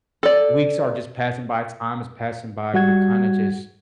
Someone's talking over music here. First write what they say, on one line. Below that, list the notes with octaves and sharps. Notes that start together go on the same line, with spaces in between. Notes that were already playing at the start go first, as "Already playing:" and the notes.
weeks are just passing by, time is passing by, you're kinda just
A4 D5
G3 F#4 F#5 G#6